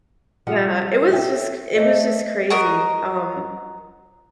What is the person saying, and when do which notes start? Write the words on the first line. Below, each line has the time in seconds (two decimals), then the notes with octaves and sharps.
Yeah. It was just cr it was just crazy. Um,
0.47 C3 F3 G3 F#5
1.09 A4 C#5 E5 G5
1.75 A3 C#5 D#5 E5
2.50 F#4 A#4 D#5